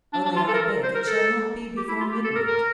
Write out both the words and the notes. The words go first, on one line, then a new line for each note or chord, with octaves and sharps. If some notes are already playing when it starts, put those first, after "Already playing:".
"Only I beg it shall not be before midnight."
D4
D4
F4
A4
A#4
C5
A#4
A4
G4
E4
F4
G4
A4
A#4
A#4